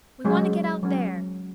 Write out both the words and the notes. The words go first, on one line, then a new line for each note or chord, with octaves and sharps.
We want to get out there.
F#3 G#3 C#4 G#4
F#3 C#4